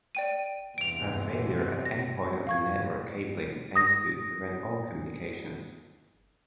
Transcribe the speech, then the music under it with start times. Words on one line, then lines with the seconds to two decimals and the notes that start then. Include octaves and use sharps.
A failure at any point of the network cabling tends to prevent all communications.
0.15 D5 G5 D#7
0.78 E2 G2 C3 D7 F7
1.85 A#6
2.47 F5 C#6 G#6
3.76 D#6 A#6